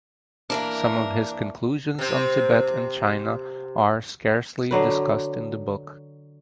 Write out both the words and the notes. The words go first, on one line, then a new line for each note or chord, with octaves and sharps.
Some of his conclusions on Tibet and China are scarcely discussed in the book.
E3 A#3 D4 A#4
C3 C4
D3 F#3 B4